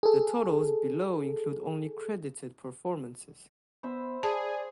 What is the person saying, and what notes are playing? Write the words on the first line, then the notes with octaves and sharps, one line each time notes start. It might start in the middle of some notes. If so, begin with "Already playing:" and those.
The totals below include only credited performances.
G#4 A4
B3 C5 E5 B5
G#4 D5 A5